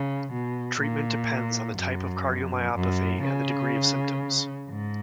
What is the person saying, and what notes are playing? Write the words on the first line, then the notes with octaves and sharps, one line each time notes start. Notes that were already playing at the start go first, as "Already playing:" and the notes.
Treatment depends on the type of cardiomyopathy and the degree of symptoms.
Already playing: C#3
B2
A#2
F#2
F#2
C#3
G#2